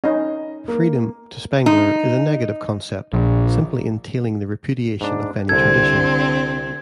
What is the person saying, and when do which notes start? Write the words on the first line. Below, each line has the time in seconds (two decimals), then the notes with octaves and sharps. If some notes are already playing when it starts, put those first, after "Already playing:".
Freedom, to Spengler, is a negative concept, simply entailing the repudiation of any tradition.
0.04 C#4 D#4 D#5
0.68 A#3
1.66 D#4
3.13 A#1
5.01 G#2 D4
5.49 C2 D3 C4 A4 G#6